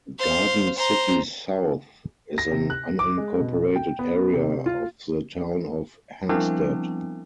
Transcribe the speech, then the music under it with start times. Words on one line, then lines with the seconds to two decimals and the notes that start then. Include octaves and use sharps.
Garden City South is an unincorporated area of the Town of Hempstead.
0.19 C5 F5
0.77 C5 A#5
2.38 A#6
2.52 C3
2.70 F#6
2.99 D6
3.18 G#3
3.40 B2
3.76 G5
3.99 B3
4.34 C3
4.66 F4
6.29 F3 G3 B3 C4 D4 E4